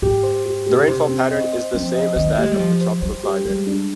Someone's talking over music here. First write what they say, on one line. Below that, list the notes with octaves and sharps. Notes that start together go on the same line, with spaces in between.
The rainfall pattern is the same as that of the tropical climate.
G#2 G4
C5
G4
G4
D3
C3 C5
C4
D#5
C5
F3 C4
D#5
D#3 D#5
C4
A#3
G#3 G4
G3
F3 C5
C5
G3 C5
G4
G3 G#3
D4